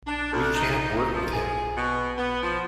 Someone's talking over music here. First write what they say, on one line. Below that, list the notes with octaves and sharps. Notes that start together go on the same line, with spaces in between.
We can't work with him.
D4
D2
D#4
D#4
F3
G#4
B2
B3
F3